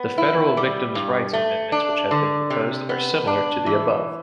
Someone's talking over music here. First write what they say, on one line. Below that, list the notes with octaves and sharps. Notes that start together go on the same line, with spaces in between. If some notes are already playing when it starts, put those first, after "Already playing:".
The federal victims' rights amendments which have been proposed are similar to the above.
Already playing: B3
E4
G3
G2
A3
D4
D3
C3
B3
D4
E3